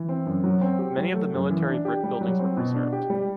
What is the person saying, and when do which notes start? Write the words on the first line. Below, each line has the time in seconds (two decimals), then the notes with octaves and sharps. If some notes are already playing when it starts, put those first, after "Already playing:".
Many of the military brick buildings were preserved.
Already playing: E3
0.09 C4
0.26 F#2
0.44 F#3
0.61 C4
0.79 G4
0.97 F#3
1.14 A3
1.33 F#2
1.50 E3
1.68 D4
1.85 G4
2.03 G3
2.21 F#3
2.39 C4
2.57 B2
2.74 D4
2.92 G4
3.10 G3